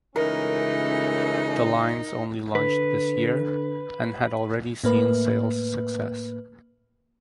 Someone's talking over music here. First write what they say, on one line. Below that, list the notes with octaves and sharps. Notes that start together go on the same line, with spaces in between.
The lines only launched this year and had already seen sales success.
C#2 E3 A3 C#4 D#4 A#4
D3 B4
A2 A#3 B4